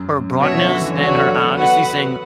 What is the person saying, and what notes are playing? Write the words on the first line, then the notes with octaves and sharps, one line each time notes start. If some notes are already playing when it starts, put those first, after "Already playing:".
her bluntness and her honesty saying,
Already playing: F#2
B2 F#4 C#5 E5
D3
E3
F#3 D4 F#4 C#5
A3
A3
B3
F#4 B4 F#5